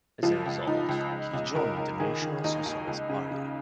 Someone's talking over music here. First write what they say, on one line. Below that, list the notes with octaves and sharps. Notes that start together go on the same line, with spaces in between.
As a result, he joined the National Socialist Party.
C#2 F3
C#2
C#2 D#4
C#2
C#2
C#2
C#2 A#4
C#2
D#3 G#4
D#3
D#2 D#4
D#2
C#2
C#3
C#3